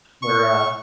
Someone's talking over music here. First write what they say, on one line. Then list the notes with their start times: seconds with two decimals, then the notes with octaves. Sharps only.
where, uh
0.22 C#6